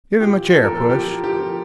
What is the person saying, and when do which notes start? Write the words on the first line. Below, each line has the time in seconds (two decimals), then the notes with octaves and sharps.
"Give him a chair, Puss."
0.21 A#2 G4
0.39 F3
0.54 A#2 A4
0.65 A#4
0.73 F3 A4
0.90 F3 G4
1.06 F3
1.23 F3 G4
1.41 F3